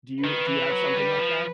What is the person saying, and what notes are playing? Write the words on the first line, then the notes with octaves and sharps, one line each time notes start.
Do you Do you have something like that?
D#3 B4
E3
F#3
G3
F3